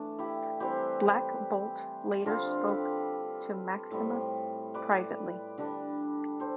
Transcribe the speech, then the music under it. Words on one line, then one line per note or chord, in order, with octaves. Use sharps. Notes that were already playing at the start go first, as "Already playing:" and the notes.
Black Bolt later spoke to Maximus privately.
Already playing: E3 A3 D4
E4 G4
E3 G3 C4 G4 B4
D3 G3 C4 F4 A4
G4 B4
A2 G3 C4
B4 D5
D3 G3 D4
A4 C5